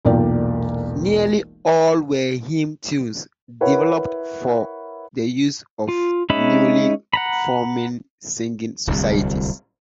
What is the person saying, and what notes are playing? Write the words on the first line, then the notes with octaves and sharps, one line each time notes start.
Nearly all were hymn tunes, developed for the use of the newly-forming singing societies.
E1 B1 A#2 A#4 D5 G5
E4 A#4 B4 C#5 E5 F#5
F4
G#3 C#4 D#4 E5 B5
F#5 A#5 B5
D1 C2